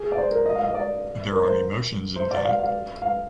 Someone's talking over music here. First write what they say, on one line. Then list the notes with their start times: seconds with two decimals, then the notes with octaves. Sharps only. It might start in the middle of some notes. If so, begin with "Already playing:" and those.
There are emotions in that.
Already playing: G#4
0.12 D5
0.18 C5
0.31 A#4
0.46 D#5
0.55 F5
0.64 D#5
0.74 D5
1.32 A#4
1.45 C5
2.16 C5
2.31 D5
2.45 F5
2.59 F5
3.02 F5